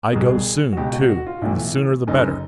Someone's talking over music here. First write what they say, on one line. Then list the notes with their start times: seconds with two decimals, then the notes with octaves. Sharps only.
I go soon, too, and the sooner the better.
0.12 C2 B2 G#4
0.73 F#4
0.77 C#2 B2 G4
0.93 F#4
1.10 F#4
1.26 F4
1.42 B1 A2 E3 E4
2.07 F#1 F#2 D3 D#4